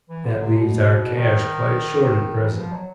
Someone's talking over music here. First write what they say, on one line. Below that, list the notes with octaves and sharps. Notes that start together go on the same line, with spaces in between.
That leaves our cash quite short at present.
E3
D3
C3
B2
D#3
E3
F3
F#3